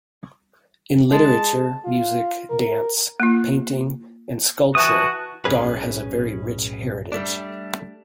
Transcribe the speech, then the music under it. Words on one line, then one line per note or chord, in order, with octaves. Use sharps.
In literature, music, dance, painting and sculpture Dhar has a very rich heritage.
G#3 A5
F4
A#4
A#3 F4
E3 F#4 A5 D#6
B1 F#2 A2 C#4 G#4 B4
G3 A3 D4